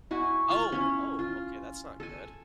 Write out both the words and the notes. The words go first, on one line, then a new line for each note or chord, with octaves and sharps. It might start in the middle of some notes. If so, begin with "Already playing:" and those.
Oh! Oh, okay. That's not good.
E4 F#4 G#5
F4
C#4 E4
F4
A4 G#5